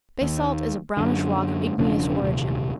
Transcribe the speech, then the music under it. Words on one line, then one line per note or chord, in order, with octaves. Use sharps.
Basalt is a brownish rock of igneous origin.
D#2
F#2 D3
E1 C#3 F3 D4
D#1 D2 C3